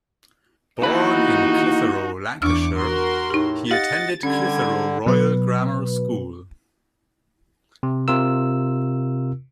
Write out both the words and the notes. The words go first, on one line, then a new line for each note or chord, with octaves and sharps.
Born in Clitheroe, Lancashire, he attended Clitheroe Royal Grammar School.
D#2 E3 D#4 F#4 B4
E2 D4 C#6 D6 E6 F6
F#4 A#4 C6
A2 D#4 G4
G4 D#5 F5 F#5 A6
D3 G3 C#4 G#6
B2 F#3 B4
C3
C3 F4 A#4 E6